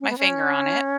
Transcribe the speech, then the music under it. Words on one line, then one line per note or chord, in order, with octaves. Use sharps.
my finger on it,
C#4
B3
C#4